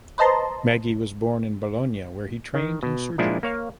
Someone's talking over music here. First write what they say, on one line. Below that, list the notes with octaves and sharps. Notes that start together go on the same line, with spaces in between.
Maggi was born in Bologna where he trained in surgery.
B4 C5 D#5 A5 A#5 C6
D#3
B2
A#2 F3 G#3 D4 E4
A#3 C#5 F5